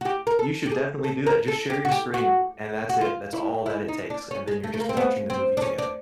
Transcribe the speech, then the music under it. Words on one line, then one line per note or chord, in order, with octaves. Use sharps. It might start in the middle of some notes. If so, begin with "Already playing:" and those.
you should definitely do that. Just share your screen, and that's it, that's all that it takes, and then you're just watching the movie together.
F#4
G4
A#4
A4
G4
G#4
A4
A#4
A4
G4
F#4
G4
F#4
F#4
F4
E4
E4
D#4
D4
C#4
G#3
A3
A3
A#3
C4
B3
C4
D4
C#4
D4